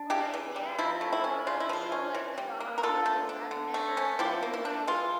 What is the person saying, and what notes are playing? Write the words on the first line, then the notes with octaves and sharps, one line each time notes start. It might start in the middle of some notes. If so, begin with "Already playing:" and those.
like, yeah, when I went to, like, The Bahamas, I've never been, like
Already playing: D4
C#3 E4 G4
E3
G3
F3 E4
A3
E4
C#4
C#3 F4
E4
F3 F4
C#4
E3
G3
A#3
A#4
D3 F4 A4
A3
D4
D3
A3
C#4
F3 E4 G4
A#3
E4
D4
E3 F4